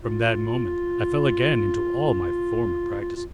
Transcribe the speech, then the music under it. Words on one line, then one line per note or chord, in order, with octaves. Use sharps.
From that moment I fell again into all my former practices.
F4
F4
F4